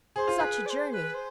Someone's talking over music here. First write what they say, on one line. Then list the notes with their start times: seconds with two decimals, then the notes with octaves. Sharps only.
"Such a journey!"
0.16 G#4 C5
0.28 F4
0.39 G#4 B4
0.66 D5
0.70 C5
0.90 C5
0.94 B4
1.14 C5